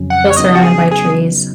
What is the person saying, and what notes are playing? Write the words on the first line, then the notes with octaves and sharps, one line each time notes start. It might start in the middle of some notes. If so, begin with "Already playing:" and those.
Still surrounded by trees.
Already playing: F2 C#3 F#3 C#4
F#5
C#5
C#3 F#3 B3 D#4 D#5
F#4
G#4
G#4